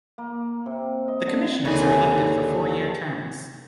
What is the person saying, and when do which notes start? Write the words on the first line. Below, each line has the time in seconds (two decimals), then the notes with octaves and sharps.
The Commissioners are elected for four-year terms.
0.18 A#3
0.66 C3
1.08 D#5
1.27 D3
1.65 D#2 D3 G#4